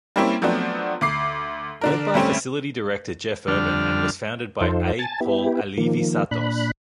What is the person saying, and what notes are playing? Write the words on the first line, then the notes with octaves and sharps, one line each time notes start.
Led by Facility Director Jeff Urban and was founded by A. Paul Alivisatos.
G3 A#3 C4 C#4 E4
F3 F#3 A3 B3 C4 D4
D2 D6 C7
D3 D4 A#4
D2 G3 A3 C4 C#4
F2 D3 G3 D4 F6
F2 D#4 F4 A4 C5
G#5 A5 A6
B3 E4 G4
D#3 F3 A#3
A#2 D4 B5 F#6